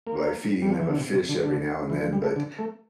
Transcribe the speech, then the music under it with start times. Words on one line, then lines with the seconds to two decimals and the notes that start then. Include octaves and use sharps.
by feeding them a fish every now and then, but
0.07 A#3
0.62 G3
0.70 F3
0.79 E3
0.89 D3
0.98 C3
1.13 C3
1.29 D3
1.43 D3
1.90 E3
2.01 F3
2.13 G3
2.24 A3
2.36 D3
2.59 A3